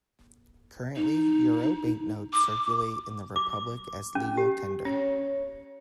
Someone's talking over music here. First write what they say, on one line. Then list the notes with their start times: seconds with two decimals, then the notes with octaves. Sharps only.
Currently euro banknotes circulate in the Republic as legal tender.
0.96 D#4
2.33 D6
3.36 D6
4.15 C#4
4.37 G4
4.85 C#4 C#5